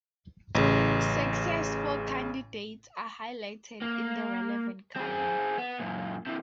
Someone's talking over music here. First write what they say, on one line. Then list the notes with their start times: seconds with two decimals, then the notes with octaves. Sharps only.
Successful candidates are highlighted in the relevant colour.
0.55 A1 C#3
3.82 A#3
4.96 C4 G#4
5.58 B3
5.80 F#2 A#2
6.27 C3 E3